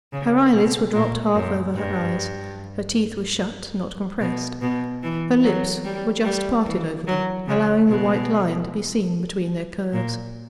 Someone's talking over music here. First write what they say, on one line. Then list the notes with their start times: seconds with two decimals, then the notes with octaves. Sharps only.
Her eyelids were dropped half over her eyes; her teeth were shut, not compressed; her lips were just parted over them, allowing the white line to be seen between their curve.
0.13 C#3
0.54 B2
0.94 A#2
1.35 F#2
1.75 G2
4.20 B2
4.61 B2
5.03 E3
5.43 F#3
5.84 G3
6.24 G3
6.66 E3
7.07 F#3
7.48 C#3
7.88 B2
9.93 A#2